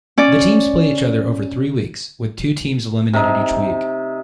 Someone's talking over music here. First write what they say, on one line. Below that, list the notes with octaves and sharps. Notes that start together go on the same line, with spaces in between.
The teams play each other over three weeks, with two teams eliminated each week.
C#4 D5
C3 D#4